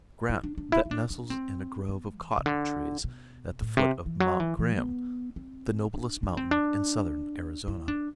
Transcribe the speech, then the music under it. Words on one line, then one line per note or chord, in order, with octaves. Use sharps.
Grant, that nestles in a grove of cotton trees at the foot of Mt. Graham, the noblest mountain in southern Arizona.
E4
D4
D4
E4
E4
D4
D4
C4
B3
E3
C3
D3
B2
A2
C3
E3
F#3
E3
E3
B3
C4
D4
D4
C4
D4
E4
D4